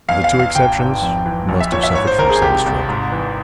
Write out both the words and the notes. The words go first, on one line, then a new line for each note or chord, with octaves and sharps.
The two exceptions must have suffered from sunstroke.
E2 F5
F5
E3
F5
G#1 G5
G#2
F2
E3
A#1
E5
A#2 C#5
E5
G#2 C#5
C5
G#1 A#4
G#4
C2 G4
C2
G#2
E3